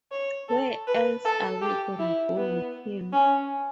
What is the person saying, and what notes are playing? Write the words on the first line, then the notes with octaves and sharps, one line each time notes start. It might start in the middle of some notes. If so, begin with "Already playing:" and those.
Where else are we gonna go with him?
C#5
A4
B4
A4
G4
E4
B3
C#4